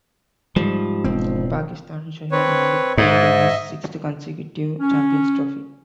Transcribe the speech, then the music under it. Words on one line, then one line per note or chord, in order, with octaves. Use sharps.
Pakistan's Shoaib Malik played in his sixth consecutive Champions Trophy.
G#2 F3 G3
E1 C4
C4 B4 C#5
G#2 D#5 E5
C#4